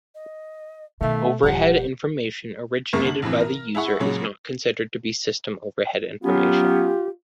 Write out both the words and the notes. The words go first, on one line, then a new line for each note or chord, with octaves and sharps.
Overhead information originated by the user is not considered to be system overhead information.
D#5
B2 D#3 A3 E5 F5
D#1 F3 G4 F#5 A#5
C2 F#2 A#3 A#4 C#6
D3 F#7
A#1 A2 C3 E3
A#4
E4 G#4 F#5 C#6
A#2 C#3 F#3 G#3
F#3 B3 C#4 F4 G4